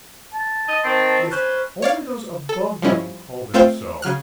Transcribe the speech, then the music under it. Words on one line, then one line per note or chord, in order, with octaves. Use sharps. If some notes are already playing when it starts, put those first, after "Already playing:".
"Yes; only those above them call them so."
A5
D#5
D#3 C4
C#4 B4 C5
C#5 D5 F5
A4
F3 G3 C#4 E4 D#5
A3 C4 F4 C5 F5 G5
C#3 F#3 F6 F#6